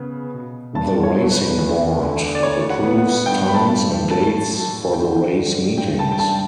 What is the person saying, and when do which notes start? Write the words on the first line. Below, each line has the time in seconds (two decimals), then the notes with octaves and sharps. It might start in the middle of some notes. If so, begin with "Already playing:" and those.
The Racing Board approves times and dates for the race meetings.
Already playing: C#3 B3
0.34 B2
0.75 G2 A5
1.03 C#5
1.17 F#3
1.31 B4
1.58 E2
2.01 D3
2.35 D5
2.43 D2 C#5
2.70 F#5
2.84 B3
2.98 F#5
3.26 G2 G5
3.48 B5
3.54 A5
3.69 G2
4.10 A2 A5
4.52 F#3
4.93 D3 G5
5.35 D3
5.77 G2 G5
5.99 A5
6.12 G5
6.19 G2 A5